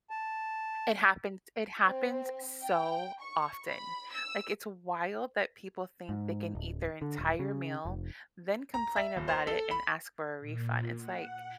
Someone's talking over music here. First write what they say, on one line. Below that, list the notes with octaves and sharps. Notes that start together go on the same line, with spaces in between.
It happened it happens so often, like, it's wild that people think they can eat their entire meal, then complain about it and ask for a refund, it's like
A5
C4
G5
C#6
B5
E6
G#2
D1
D3
D#1
C#3
F1
A#5
E5
D#1
C5
A4
B5
A#2
F#5